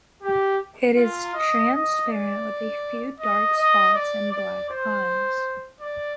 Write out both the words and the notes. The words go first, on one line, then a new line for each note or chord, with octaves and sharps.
It is transparent with a few dark spots and black eyes.
G4
F4
D#5
D#5
D5
D#5
D#5
D5
D5
C5
D5